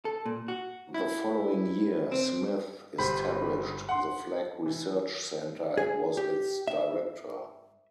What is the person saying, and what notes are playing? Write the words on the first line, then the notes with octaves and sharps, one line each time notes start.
The following year, Smith established The Flag Research Center and was its director.
A4
A#2
F#4
E4
C4
G1 G4 C5 B5 B6
F#5 C6
E3
G#4
G4
E5